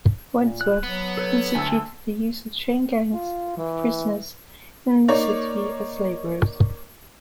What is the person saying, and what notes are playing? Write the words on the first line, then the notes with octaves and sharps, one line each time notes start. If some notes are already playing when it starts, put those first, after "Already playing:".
Wentworth instituted the use of chain gangs of prisoners in the city as laborers.
A#2
F#6
F#3 B3
A4 B4 C#5
D2 A5 E6
F4
E3
A#3 D#4 C#5 D5